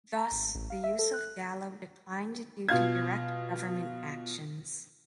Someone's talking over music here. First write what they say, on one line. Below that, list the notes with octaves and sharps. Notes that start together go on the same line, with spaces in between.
Thus, the use of Gallo declined due to direct government actions.
A#5
G#1
A1
F5
E5
A4
F#6
B2 F4 F5 G#6